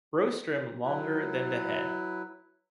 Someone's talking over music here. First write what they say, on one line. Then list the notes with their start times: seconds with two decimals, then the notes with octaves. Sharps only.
Rostrum longer than the head.
0.84 F#3 E4 B4